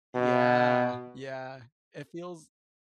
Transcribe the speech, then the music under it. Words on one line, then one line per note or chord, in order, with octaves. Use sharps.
Yeah, yeah, it feels
B2